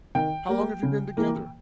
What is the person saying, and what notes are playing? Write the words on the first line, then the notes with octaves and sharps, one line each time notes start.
How long have you been together?
D#3 G5
G3 A#3
C#3
E3 A#3